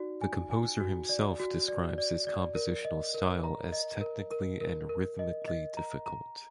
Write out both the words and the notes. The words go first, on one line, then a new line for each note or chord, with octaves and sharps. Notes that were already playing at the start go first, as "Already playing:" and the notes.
The composer himself describes his compositional style as technically and rhythmically difficult.
Already playing: D#4 F#4 D5
G#5
G#5
F#4
D5
F#4
D5
D5
D5
A#4
D#5
A#4
A#5
D#5
A#4
A#4
A#4
A#4
D#5
D#5
A#5
A#5